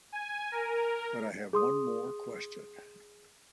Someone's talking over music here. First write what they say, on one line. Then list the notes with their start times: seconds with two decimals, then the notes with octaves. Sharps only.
But I have one more question ...
0.12 G#5
0.52 A#4
1.53 G#4 C6 D#6